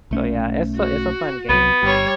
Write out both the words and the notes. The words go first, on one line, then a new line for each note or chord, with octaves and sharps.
So, yeah, it's a it's a fun game.
B1 A3 C#4
F#4
C2 F#3 B3
G1 G3 C#5